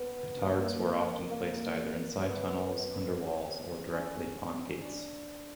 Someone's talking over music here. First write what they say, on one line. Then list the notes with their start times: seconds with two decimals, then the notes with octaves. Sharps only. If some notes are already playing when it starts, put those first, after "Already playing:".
Petards were often placed either inside tunnels under walls, or directly upon gates.
Already playing: B3
0.41 A#3
1.30 A#3
2.17 B3
3.06 C4
3.93 C#4
4.81 D4